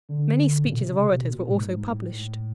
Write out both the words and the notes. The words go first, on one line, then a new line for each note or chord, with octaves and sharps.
Many speeches of orators were also published.
D3
A#2
B2
C3
C#3
C3
B2
A#2
G#2
G#2
A2